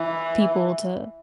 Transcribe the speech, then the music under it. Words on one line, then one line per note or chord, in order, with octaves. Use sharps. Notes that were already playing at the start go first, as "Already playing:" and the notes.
people to,
Already playing: E3